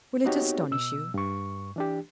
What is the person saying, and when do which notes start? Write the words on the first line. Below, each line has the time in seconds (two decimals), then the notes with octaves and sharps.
Will it astonish you?
0.25 B3 C4 D#4 F#4 G4 C#5
0.71 B2 E6
1.14 G2 C#6
1.76 E3 D4 G4